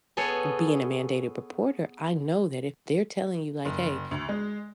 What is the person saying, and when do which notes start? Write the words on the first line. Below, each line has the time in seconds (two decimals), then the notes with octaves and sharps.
b being a mandated reporter, I know that if they're telling you, like, "Hey,
0.17 B3 G#4 A4 C#5
3.65 F#1
4.11 D2
4.29 G#3